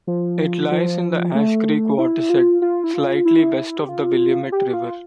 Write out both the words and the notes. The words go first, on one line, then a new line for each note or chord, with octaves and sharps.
It lies in the Ash Creek watershed, slightly west of the Willamette River.
F3
F3
A3
E4
F4
F4
E4
F4
E4
G4
F4
G4
F4